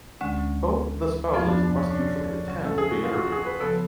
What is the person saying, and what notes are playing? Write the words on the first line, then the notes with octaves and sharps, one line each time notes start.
Both the spouses must usually attend the interview.
D2 D3 G#3 C#4
F2 F3 B3 F4
D4
D4
C#4
D4
C#3 F#3 C#4
A4
G#4
F#4
F4
F#4
G#4
B4
C#3 F3 B3 A4